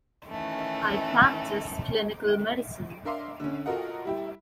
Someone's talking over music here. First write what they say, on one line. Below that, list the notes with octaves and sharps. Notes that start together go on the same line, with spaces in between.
I practice clinical medicine.
D#3 E3 A3 C#4
D4 A#4 E5 F5 C6 D6
D3 C#4
F4 F#4 A4 A#4 D#5 F#5
G3 E4 G4